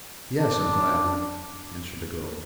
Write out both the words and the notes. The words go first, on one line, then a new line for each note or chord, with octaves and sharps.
"Yes, Uncle Adam," answered the girl.
D4